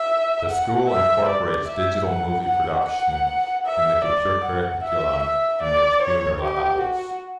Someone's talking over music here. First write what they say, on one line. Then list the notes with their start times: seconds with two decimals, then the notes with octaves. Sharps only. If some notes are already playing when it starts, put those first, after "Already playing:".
The school incorporates digital movie production in the computer curriculum in the junior levels.
Already playing: E5
0.50 F#5
0.89 E5
1.29 D5
1.68 E5
2.07 F#5
2.46 F#5
2.86 F#5
3.66 E5
4.04 D5
4.44 F#5
4.84 E5
5.23 E5
5.63 D5
6.02 C#5
6.42 G4
6.81 F#4